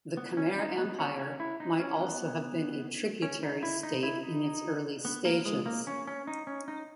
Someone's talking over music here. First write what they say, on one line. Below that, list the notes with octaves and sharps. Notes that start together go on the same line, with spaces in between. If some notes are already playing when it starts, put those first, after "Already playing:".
The Khmer Empire might also have been a tributary state in its early stages.
B3
C#4
D#4
B3
C#4
C#4
E4
D#4
C#4
B3
C#4
D#4
E4
D#4
E4
D#4
B3
A#3
G#3
A#3
C#4
C#4
D#4
C#4
D#4